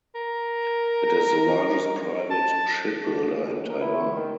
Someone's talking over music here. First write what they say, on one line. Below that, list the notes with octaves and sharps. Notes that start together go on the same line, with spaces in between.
It is the largest private shipbuilder in Taiwan.
A#4
A5
C#2
A#4
E4
D#3